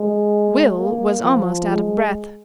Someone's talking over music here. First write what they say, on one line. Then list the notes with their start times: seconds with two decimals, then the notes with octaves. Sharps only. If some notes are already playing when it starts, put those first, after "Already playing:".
Will was almost out of breath.
Already playing: G#3
0.77 A#3
1.23 F3
1.68 G#3